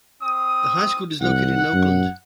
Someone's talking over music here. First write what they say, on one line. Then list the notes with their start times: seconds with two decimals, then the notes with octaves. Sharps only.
The high school is located in Oakland.
0.22 C4 D#6
1.21 C2 F#5
1.74 F#2